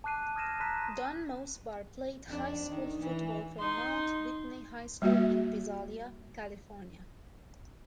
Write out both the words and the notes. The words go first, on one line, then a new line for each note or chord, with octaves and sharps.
Don Mosebar played high school football for Mount Whitney High School in Visalia, California.
A5 D6 F#6 C7 D#7
D#6 F6 G#6 A#6 D#7 E7
A5 A#5 C6 F#6 B6 D#7
F2 D4
D#3
E3
D#4 C6
G3 A#3 F#4 E5